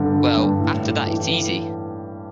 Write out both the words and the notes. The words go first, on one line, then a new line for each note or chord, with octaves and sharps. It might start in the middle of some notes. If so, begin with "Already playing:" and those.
Well, after that it's easy.
Already playing: G2 D3
D3
G2
A2
A2
E3